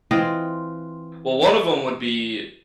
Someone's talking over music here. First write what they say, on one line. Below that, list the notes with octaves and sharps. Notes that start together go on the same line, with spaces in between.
Well, one of 'em would be,
E3 C4 F4 D#5